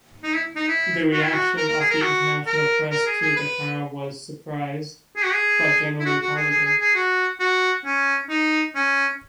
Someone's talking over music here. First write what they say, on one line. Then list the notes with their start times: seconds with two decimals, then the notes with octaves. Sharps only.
The reaction of the international press to the car was surprised but generally positive.
0.23 D#4
0.34 E4
0.56 D#4
0.68 E4
1.12 F#4
1.23 E4
1.33 F#4
1.57 A#4
1.68 A#4
1.80 G#4
1.90 A#4
2.02 F#4
2.47 A#4
2.91 A#4
3.07 G#4
3.22 G#4
3.36 B4
5.16 G#4
5.24 F#4
5.33 G#4
6.00 E4
6.06 F#4
6.21 F#4
6.36 G#4
6.50 G#4
6.65 G#4
6.80 G#4
6.95 F#4
7.40 F#4
7.85 C#4
8.29 D#4
8.75 C#4